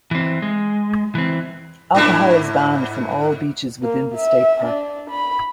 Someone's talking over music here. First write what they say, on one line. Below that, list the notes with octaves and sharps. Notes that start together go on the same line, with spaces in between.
Alcohol is banned from all beaches within the State Park.
E3 C4
G#3
E3 C4
G#2 D4 E4
A#3
E5
D4
B5